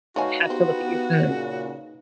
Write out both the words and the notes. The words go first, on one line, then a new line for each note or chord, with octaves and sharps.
you have to look at your phone?
A3 D#4 F#4 B4 C#5 F5 G#5
B3 C4 G4
A#2 C#3